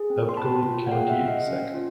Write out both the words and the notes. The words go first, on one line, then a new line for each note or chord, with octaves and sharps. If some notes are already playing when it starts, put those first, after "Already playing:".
Outgoing County Exec.
Already playing: G#4
C4
C6
C4 A5 B5
F4
F#5
G#4 F5 G5
E5 F#5
C4
D#5 F5
C#4
F4